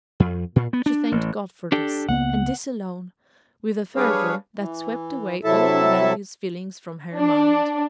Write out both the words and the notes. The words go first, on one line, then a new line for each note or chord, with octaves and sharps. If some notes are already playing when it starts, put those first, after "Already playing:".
She thanked God for this, and this alone, with a fervour that swept away all rebellious feelings from her mind.
F2
A#2
B3
D4
A1
D4 G4 A4
C#2 A#3 B3 F#5
G3 D4 G#4 B4 C#5 F5
E3
C3 F#3 E4 A4 E5 A5
D4